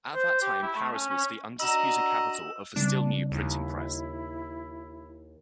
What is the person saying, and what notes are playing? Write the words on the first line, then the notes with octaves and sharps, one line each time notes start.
At that time Paris was the undisputed capital of the still-new printing press.
C5
G4
E4
A3
C#4
C#4
D4 F#4 D#5 A#5 E6 E7
C#3 G3 C4 D4
D#2 E4